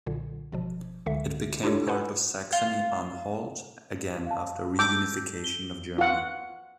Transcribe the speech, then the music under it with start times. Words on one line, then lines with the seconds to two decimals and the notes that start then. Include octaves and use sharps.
It became part of Saxony-Anhalt again after reunification of Germany.
0.06 B1 A#2 D3
0.52 G1 B2 F3
1.06 C#2 D3 E5
1.63 D4 E4 F4 G4 A4 C#5
1.87 B4 C5 F#5 G#5 B5
2.53 F4
4.27 F5 A5
4.79 A5 D6 E6 G6
5.44 G7
5.98 F4 F#5